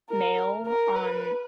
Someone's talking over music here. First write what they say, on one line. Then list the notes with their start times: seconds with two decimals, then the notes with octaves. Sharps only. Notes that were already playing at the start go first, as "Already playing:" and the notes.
male on
0.09 A#4
0.66 A#4
0.95 B4